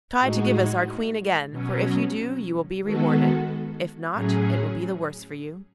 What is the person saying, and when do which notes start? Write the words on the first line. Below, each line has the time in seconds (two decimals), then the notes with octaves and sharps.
Try to give us our Queen again, for if you do you will be rewarded; if not, it will be the worse for you.'
0.19 A2 G#3 D#4 F#4
1.51 B2 F#3 C#4
2.82 D#3 G#3 B3 F#4 A4
4.14 A2 F#3 C#4 G#4